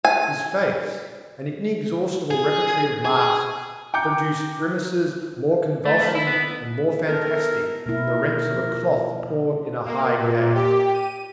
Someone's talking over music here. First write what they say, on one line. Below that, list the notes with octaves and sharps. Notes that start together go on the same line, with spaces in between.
His face, an inexhaustible repertory of masks, produced grimaces more convulsing and more fantastic than the rents of a cloth torn in a high gale.
G#5
G#4
G#4
G5 A#5 D6 G6 C#7
A3
F3
E4
B3
B3 A4 A#4
B2 A#3 E4 A#4
F3
A#3
A#2
G4
D#7